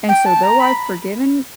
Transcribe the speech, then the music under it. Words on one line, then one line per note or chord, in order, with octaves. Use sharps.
and so though I've forgiven,
G5
A5
A#5
B5